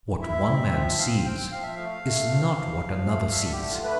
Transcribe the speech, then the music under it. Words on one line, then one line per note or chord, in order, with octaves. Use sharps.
What one man sees is not what another sees.
E4 E5
C4
F3
C4 F5
C4 G5
F3 F5
E5
A3 F5
A3
F3
F3
F3
A3
D3 E5
A4
G4
A3
F4
B4